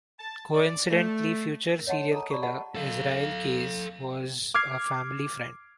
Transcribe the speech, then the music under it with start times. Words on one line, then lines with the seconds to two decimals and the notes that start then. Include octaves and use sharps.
Coincidently, future serial killer Israel Keyes was a family friend.
0.19 A5
0.54 D5
0.91 A3
1.72 A#4
1.87 C#5 D#5 F#5 A5 C6
2.12 G#4 A4 A5 A#5
2.30 D5 B5 C#6
2.42 G4 D#5 F#5 A5 B5
2.75 A4 F5
4.54 D6 F6 G#6 C7